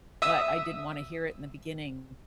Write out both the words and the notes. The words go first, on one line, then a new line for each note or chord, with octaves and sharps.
but I didn't wanna hear it in the beginning
E5 D#6 E6